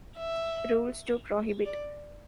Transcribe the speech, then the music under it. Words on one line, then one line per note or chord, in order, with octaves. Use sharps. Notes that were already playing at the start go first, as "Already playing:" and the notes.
Rules To Prohibit.
E5
D5